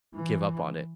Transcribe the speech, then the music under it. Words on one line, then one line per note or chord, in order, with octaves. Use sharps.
give up on it.
E3